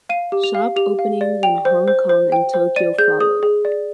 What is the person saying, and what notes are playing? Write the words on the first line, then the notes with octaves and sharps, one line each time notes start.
Shop openings in Hong Kong and Tokyo followed.
F5 D#7
G4
F7
F5
G4 F7
F5
D5
G5 F7
C5
C5
C5
G5
C5
D5 D#7
G#4 G6
G#4 D#6
G#4
D5